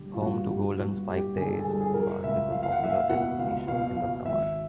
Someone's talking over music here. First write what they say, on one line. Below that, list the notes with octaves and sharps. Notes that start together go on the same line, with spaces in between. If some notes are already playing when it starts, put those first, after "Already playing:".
Home to Golden Spike Days, the park is a popular destination in the summer.
Already playing: D3 G3 G4
F4
G2 F#4
G4
G2 F#4
G2 F#4
G3 G4
D3 G#4
A4
G#4
G3 A4
G#4
F#3 A#4
C#2 E5
F#3 F5
F5
F#5
F#3 E5
F5
B2 F#5
C#2 F5
B2 F5
F#3 F5
G#1 E5